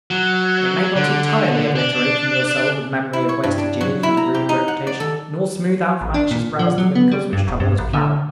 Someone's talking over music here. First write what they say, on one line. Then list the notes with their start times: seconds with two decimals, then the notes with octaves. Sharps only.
It may not entirely obliterate from your soul the memory of wasted years and a ruined reputation, nor smooth out from anxious brows the wrinkles which trouble has ploughed.
0.11 F#3
0.96 D3
1.76 D4
3.13 E4
3.29 C#5
3.43 G2
3.58 D4
3.81 F#3
4.03 E4
4.17 A#5
4.35 G4
4.49 D#4
4.68 F#5
4.87 D5
5.00 A4
6.01 A1
6.14 D4
6.31 A#2
6.59 F3
6.78 F#3
6.95 B3
7.11 G3
7.33 G2
7.47 E1
7.60 G2
7.78 A1
7.93 D3